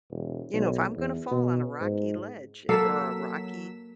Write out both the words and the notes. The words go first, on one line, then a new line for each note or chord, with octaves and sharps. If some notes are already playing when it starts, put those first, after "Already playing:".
You know, if I'm gonna fall on a rocky ledge, eh, or a rocky,
E1
B1
E2
B2
G#2
F#3 A#3 A4 F5 B6 E7